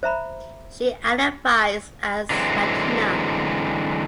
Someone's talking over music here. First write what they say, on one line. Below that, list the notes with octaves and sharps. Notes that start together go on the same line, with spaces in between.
She identifies as Latina.
C5 E5 A#5 B5
D3 E3 F#3 G#3 C4